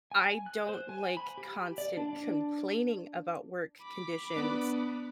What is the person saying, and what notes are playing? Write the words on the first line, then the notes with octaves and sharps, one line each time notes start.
I don't like constant complaining about work conditions
G#5
F#6
C5
G#5
B5
G4
D5
D4
D4
B5 D6
B3 D4